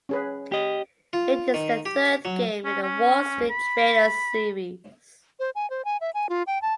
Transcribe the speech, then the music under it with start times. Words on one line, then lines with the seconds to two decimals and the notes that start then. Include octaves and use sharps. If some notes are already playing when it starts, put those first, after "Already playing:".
It is the third game in the "Wall Street Trader" series.
0.09 C#4 G#4 B4
0.52 G4 D#5
1.13 F4
1.54 D#3
1.86 G4
2.25 F#3
2.64 C#4
2.83 C#4
3.50 B5
5.40 C5
5.55 G#5
5.70 C5
5.85 G#5
6.01 E5
6.14 G#5
6.29 F4
6.47 G5
6.62 A5